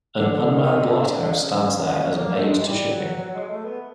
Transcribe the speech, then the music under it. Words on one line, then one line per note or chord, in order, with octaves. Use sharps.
An unmanned lighthouse stands there as an aid to shipping.
D3
D3
D#3
D#3
D3
C#3
A#3
A3
G#3
G3
F#3
F#3
G#3
A3
B3